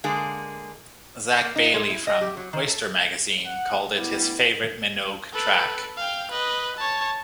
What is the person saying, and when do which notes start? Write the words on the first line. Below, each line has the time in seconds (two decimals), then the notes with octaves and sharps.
Zac Bayly from "Oyster Magazine" called it his favourite Minogue track.
0.04 D3 G#3 A#3 G#4
1.41 A#3
1.56 D#4
1.74 G#3
1.90 E4
2.07 D#5
2.21 G4
2.37 F#3
2.53 D#3
2.67 A4
3.46 F#5
3.98 D2 G3 B3 E4
5.33 A4 B4
5.97 F5 G5
6.31 B4 D#5
6.76 C#5 A5